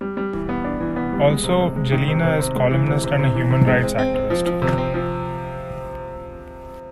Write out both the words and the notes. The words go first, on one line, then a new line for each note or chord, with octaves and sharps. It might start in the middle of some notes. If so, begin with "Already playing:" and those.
Also, Jelena is columnist and a human rights activist.
G3
G3
E3
B3
D4
E3
B3
G3
G#3
C3
C3
G#3
D#3
C3
C3
C3
G#3
E3
C3
C3
C3
E3
C3
G#3
C4
C4
C4
F3
F3
C3
C4
F3